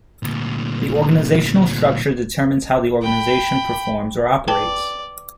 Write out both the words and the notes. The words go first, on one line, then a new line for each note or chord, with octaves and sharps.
The organizational structure determines how the organization performs or operates.
D2 A#2
G5 B5
B4 D5 G5 A5